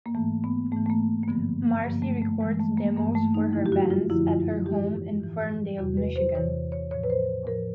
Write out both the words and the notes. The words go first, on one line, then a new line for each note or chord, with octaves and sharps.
Marcie records demos for her bands at her home in Ferndale, Michigan.
A#3
G#2 E3 A3
B3
G#2 E3 A3
A3
A#3
A#3
G2 D3 F3 B3
G2 D3 F3 A#3
A3
A3
G2 E3 G#3
A3
A#3
G2 E3 A#3
A3
D#4
F#2 D3 F3 E4
G4
F#4
F4
F#2 D3 F3 E4
F4
G#2 E3 G4
G#2 E3
E2 C3 E3 F#4
B4
C5
E2 C3 E3 C#5
C#5
A2 F3 C#5
B4
C5
A2 F3 A#4